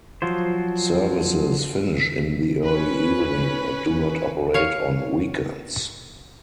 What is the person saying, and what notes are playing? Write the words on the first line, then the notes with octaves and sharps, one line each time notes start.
Services finish in the early evening and do not operate on weekends.
F3 F#3 F4 C5
C#4 B4
C#5 F5